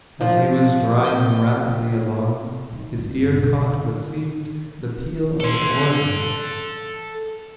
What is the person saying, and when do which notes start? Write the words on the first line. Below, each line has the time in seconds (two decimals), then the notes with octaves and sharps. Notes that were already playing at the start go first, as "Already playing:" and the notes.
As he was driving rapidly along, his ear caught what seemed the peal of an organ.
0.21 F3
1.04 G5
2.72 D#3
2.98 G2
3.37 B2
3.53 D3
5.40 A4 C6